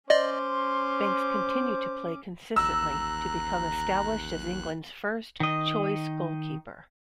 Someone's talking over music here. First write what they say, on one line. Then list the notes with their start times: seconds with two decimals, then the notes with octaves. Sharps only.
Banks continued to play consistently to become established as England's first-choice goalkeeper.
0.10 C#4 C5 D5 D#5 C6 D6
2.56 A1 D#2 A#5 E6 F#6
5.40 D#3 D#5